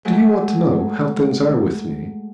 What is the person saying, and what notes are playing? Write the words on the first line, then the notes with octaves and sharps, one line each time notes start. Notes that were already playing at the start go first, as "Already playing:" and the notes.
"Do you want to know--how things are with me?"
F#3 G#3 A3